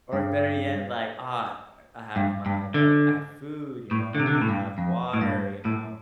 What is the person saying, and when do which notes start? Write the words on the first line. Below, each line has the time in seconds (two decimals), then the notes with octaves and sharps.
or, better yet, like, uh, I have my like, I have food, you know, I have water, you know.
0.13 G2
2.16 G2
2.46 G2
2.74 D3
3.91 A2
4.15 D3
4.20 C3
4.27 D3
4.35 C3
4.42 A2
4.49 G2
4.78 F2
5.14 A2
5.21 G2
5.65 A2